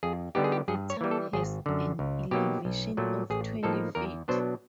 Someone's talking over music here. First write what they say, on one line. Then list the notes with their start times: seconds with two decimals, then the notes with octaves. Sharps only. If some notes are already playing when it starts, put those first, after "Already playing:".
The town has an elevation of twenty feet.
0.03 F2 G#4
0.35 D3 G3 B3 D#4 G4
0.44 G#4
0.52 G4
0.68 G2 G#4
0.90 C#5
1.01 E3 G3
1.11 A4
1.33 G#1 G#4
1.66 F#2 D3
1.99 C#2
2.31 B2 F#3 A#3 D#4 G4
2.65 B1
2.97 A#2 F#3 A3
3.30 A1 G#4
3.63 A2 F3 A#3 D#4 A4
3.95 E2 A#4
4.28 B2 F#3 B3 D4 C5